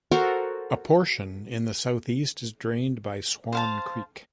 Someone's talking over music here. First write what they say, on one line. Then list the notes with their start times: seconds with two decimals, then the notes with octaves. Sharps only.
A portion in the southeast is drained by Swan Creek.
0.11 F#4 A4 A#4 C5
3.52 C5 F5 A5